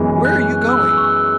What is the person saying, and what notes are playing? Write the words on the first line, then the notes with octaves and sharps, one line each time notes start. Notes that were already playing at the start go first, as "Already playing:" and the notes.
"And where are you going?"
Already playing: F#2 E3 G#3 B3
F#6
F#6
E6
C#6